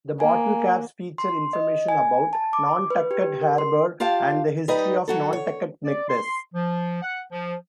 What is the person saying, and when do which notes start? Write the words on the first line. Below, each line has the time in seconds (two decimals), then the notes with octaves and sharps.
The bottle caps feature information about Nantucket Harbor and the history of Nantucket Nectars.
0.20 A#3 G#5
1.18 C6
1.53 D#5
1.88 G#5
2.33 A5
2.53 D6
2.90 B4
3.11 G4
3.41 A#4
3.58 C6
4.00 F4 G4 F5 A5
4.68 G3 D#4 B4 D#5
5.08 F#3 F#4 A4
5.33 C#5
5.85 D5
6.09 C6
6.54 F3
7.02 F#5
7.32 F3